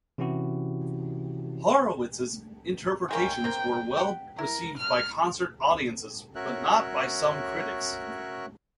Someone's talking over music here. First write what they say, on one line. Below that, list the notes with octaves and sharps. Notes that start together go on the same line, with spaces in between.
Horowitz's interpretations were well received by concert audiences, but not by some critics.
C3 E3 C#4 E4 F#4 G4
G#3 A#3 C#4 G5
A#3 C4
F#5 G5
E4 A#4
F6
C#4 F#4 A#4 C#5 E5 F#6